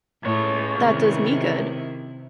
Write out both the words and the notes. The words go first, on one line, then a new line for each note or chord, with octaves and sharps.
That does me good!
C#2 A2 C#5
C3 D#3 E4